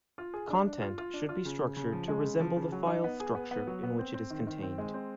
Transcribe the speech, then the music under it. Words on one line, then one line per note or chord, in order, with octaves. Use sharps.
Content should be structured to resemble the file structure in which it is contained.
F4
G#4
D4
D4
F4
F4
D4
F4
C#3
C#3
C#3
F3
G#3
C#3
F3
C#3
F#3
D#4
B3
G#4
B3
B3
F#3
B3
C4
C4
D#3
D#3
C4
G#3
C4